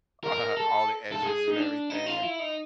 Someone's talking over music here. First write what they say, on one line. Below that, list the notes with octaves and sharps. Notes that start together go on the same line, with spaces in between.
uh, all the edges and everything, and
A#4
A4
A4
G#4
D#4
D4
D#4
F4
E4
D#4